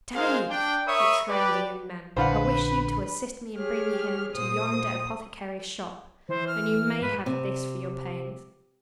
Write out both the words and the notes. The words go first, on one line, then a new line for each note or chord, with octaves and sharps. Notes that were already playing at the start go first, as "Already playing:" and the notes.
"Stay!" exclaimed the young man, "I wish you to assist me in bringing him to yonder apothecary's shop, and you may have this for your pains."
G#3 F4 G#4 A#4 C5 F5
D4 G5
A#4 C#5 E5 B5 C#6 D#6
G4 B4 D5
A#1 D3 B4 C5 F5 F#5
G4 G#4 C#5 F6
A#2 C5 D#6
E3 C5
F6
G#2 B4
C3